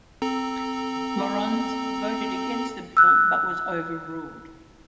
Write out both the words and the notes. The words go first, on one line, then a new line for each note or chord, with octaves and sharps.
Laurens voted against the bill but was overruled.
C4 A4 A#5
E6 F#6